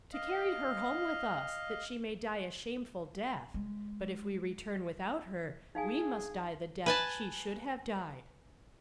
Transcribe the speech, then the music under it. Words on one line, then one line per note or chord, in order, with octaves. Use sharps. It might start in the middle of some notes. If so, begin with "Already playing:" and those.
"To carry her home with us, that she may die a shameful death; but if we return without her, we must die the death she should have died."
D#5 F5
G#3
D#4 G#4 F5 G#5
B4 G#5 A5